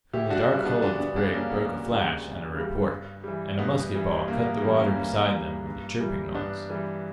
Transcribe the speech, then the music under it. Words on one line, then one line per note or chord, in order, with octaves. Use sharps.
From the dark hull of the brig broke a flash and a report, and a musket ball cut the water beside them with a chirping noise.
D2 E4 G4
D4 F#4
C#3 G3
B3 D4
D2 B3 D4
B3 D4
C#3 G3 B3 D4
A#3 C#4
D2 B3
C#3 G3
D2
C#3 G3
G2
E3 G3
G2 B3
E3 G3
G2 A#3
B3
E3 G3 A#3 C#4
A#3 C#4
G2 A#3 C#4
E3 G3
G2
E3 G3
G2 B3 D4
E3 G3